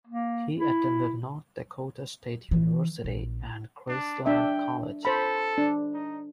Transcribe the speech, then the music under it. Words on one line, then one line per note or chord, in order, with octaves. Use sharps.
He attended North Dakota State University and Graceland College.
A#3
E4
E3
A#1
D4
D4 E5 G5
A4 C5 B5
D4
D#4